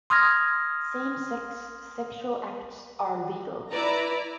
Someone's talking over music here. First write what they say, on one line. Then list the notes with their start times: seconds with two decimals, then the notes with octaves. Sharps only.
Same-sex sexual acts are legal.
0.10 C6 D#6 F6 G#6 A#6
3.70 E4 B4 D5 A#5